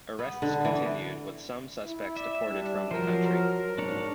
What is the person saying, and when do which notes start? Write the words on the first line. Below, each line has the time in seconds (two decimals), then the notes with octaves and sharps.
Arrests continued, with some suspects deported from the country.
0.19 B3
0.42 D3
0.65 E3
1.84 E4
2.16 D5 E5
2.49 G3 D4
2.91 F3 F#3 A#4 C5
3.26 A#4
3.78 G#2 D4 C#5